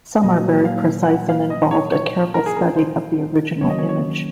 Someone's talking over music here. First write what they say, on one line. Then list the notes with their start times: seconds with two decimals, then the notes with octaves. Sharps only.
Some are very precise and involve a careful study of the original image.
0.23 A#2 F#3 A#3 D#5
0.65 F5
1.07 F#5
1.29 F5
1.50 D#5
1.71 C#5
1.92 C#5
2.34 A#4
2.46 G#4
2.57 A#4
2.76 C5
3.61 D#3 F#3 A#3 C#4 C#5
3.70 D#5
3.79 C#5
3.89 C#5